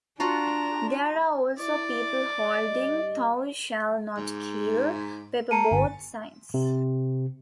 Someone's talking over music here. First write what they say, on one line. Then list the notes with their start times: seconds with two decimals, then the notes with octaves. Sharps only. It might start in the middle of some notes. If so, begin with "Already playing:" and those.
There are also people holding "Thou shall not kill" paperboard signs.
0.20 D4 F4 F#4 A5 A#5 C6
1.59 E4 D5
2.64 G2 G3 D#5
4.17 G#2
5.51 A#3 A5 A#5 C#7 D#7
5.71 G1 G#5
6.54 C3